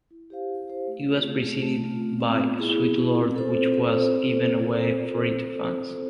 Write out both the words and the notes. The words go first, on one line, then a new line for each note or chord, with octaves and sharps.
It was preceded by "Sweet Lord" which was given away free to fans.
E4
G4 C5 F5
E4
G4 C5 F5
A3
C4 F4 G#4
A3
C4 F4 G#4
A3
C4 F4
A3
C4 F4
B3
E4 G#4
B3
E4 G#4
C4
F4 A4 C5
C4
F4 A4 C5